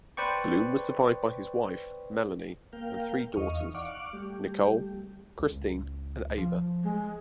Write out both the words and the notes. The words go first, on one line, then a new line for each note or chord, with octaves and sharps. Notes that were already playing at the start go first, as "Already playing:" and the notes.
Bloom was survived by his wife, Melanie, and three daughters: Nicole, Christine, and Ava.
B4 C5 D5 G5 C#6
A#3 A#4 F5 G5
E2 E3 D#4 D#5 F5 C#6
D5 F5 F#5 C#6 D6
G3 A3 G4
C#2
F3
G#3